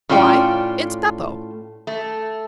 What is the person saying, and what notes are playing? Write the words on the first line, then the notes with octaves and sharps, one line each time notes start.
Why, it's Beppo.
A2 C#4 F4 D5 G5
A3